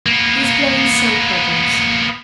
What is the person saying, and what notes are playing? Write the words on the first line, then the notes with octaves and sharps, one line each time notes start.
He is blowing soap-bubbles.
A#3 B3